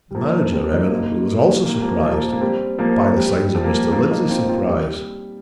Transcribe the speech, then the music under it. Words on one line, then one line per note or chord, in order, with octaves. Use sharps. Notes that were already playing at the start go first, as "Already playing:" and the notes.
The manager, evidently, was also surprised--by the signs of Mr. Lindsey's surprise.
G3
F3 A#3
G3 C4
A#3 D#4
A#3 D#4
A#3
G3
F3 A#3
F3 A#3
A#3
G3 C4
F3 A#3
G3
F3
A#3
G3
F3 A#3
A#3 D#4
C4 F4
C4 F4
G3